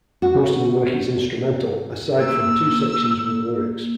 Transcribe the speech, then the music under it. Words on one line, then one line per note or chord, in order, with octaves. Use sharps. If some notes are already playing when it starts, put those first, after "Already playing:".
Most of the work is instrumental, aside from two sections with lyrics.
F#4
A#3 E6